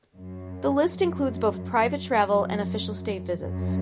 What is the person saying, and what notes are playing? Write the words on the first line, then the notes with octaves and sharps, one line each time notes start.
The list includes both private travel and official state visits.
F#2
F#2
F#2
F#2